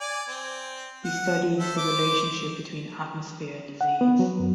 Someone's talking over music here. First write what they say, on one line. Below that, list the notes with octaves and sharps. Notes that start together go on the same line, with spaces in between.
He studied the relationship between atmosphere and disease.
D5 G#5
C4
F#5
A4 C5 E5
C5 D6
F#5
B3
F#3
F#2